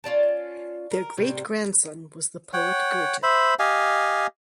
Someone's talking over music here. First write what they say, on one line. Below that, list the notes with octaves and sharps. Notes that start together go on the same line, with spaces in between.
Their great grandson was the poet Goethe.
C#4 F4 D5 A5
A#4
A2 C3 G3 C4
C#5 F#5 G5
C5 E5 B5
G4 D#5 F5 G#5